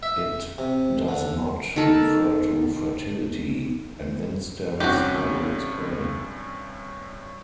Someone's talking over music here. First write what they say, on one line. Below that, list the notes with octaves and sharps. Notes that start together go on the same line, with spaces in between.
It does not refer to fertility; an instance I will explain.
E5
C3
D3
D#3 A4
G2 C3 C#4 F#4 G4